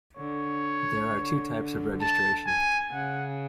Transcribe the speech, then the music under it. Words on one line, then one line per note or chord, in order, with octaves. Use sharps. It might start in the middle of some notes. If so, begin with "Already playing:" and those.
There are two types of registration.
D3 C#5
D3
A5
G#5
C#3 F#5